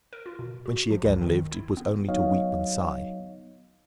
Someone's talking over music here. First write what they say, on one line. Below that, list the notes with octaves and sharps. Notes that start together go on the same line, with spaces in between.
When she again lived, it was only to weep and sigh.
A#4
F4
B2
F#4
F3
C#2
D#3
E4
B3
F#3 B3 D#4 C#5 D#5 F5